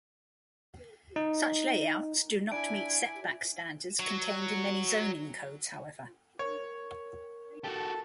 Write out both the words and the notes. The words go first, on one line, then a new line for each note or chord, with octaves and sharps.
Such layouts do not meet setback standards contained in many zoning codes, however.
D#4
D4 E4 G#5 D7
F#3
A#4 C#5
F#4 G4 A4 A5